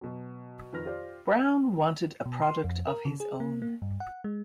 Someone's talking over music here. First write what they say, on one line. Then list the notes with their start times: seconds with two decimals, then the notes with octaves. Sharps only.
Brown wanted a product of his own.
0.01 B2 F#3
0.73 F2 D#3 B4 F6 A#6
0.85 F4 G4 C5 D5
2.26 B2
2.42 C6
2.64 F2
2.87 A#4
3.05 C#3
3.20 G#4
3.40 A#3
3.62 A#3
3.82 G2
4.00 F#5
4.24 G#3